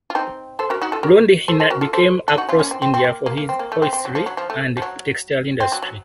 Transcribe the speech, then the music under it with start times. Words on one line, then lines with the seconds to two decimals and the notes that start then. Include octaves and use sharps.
Ludhiana became across India for its hosiery and textile industry.
0.10 F4
0.15 C4 D#4
0.59 A4 C5
0.70 F#4 A#4
0.82 D#4 F#4
0.92 F4 A4
1.03 F#4 A#4
1.48 A4 C5
1.60 A4 C5
1.70 F#4 A#4
1.81 F4 A4
1.93 A4 C5
2.28 A4
2.38 D#4 F#4
2.49 C#4 F4
2.59 A#3 C#4
2.71 C4
2.82 C4
2.94 C4
3.04 A#3
3.26 A#3
3.37 A#3
3.49 C4
3.59 A#3
3.72 A3
3.82 C4
3.93 C4
4.05 F#3
4.15 F3
4.26 F#3
4.37 F3
4.50 A3
4.77 F3
4.82 F#3
5.60 C4
5.72 F#3
5.82 F#3